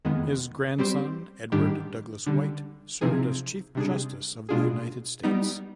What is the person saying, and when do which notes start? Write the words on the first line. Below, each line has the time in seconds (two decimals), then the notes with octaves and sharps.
His grandson, Edward Douglass White, served as Chief Justice of the United States.
0.05 F2 D#3 G#3 B3
0.78 G3 C4 G4 C5
1.52 G#2 D#3 G3 D4 G4
2.26 D3 G3 D4
3.01 C3 F3 C4 D#4 G#4
3.75 C3 G3 D4 G#4
4.49 B2 G#3 D4 F4 G#4
5.23 G3 B3 D#4